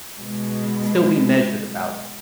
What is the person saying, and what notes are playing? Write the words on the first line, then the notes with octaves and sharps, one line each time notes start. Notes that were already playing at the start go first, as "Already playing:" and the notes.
still be measured about it.
B2 G#3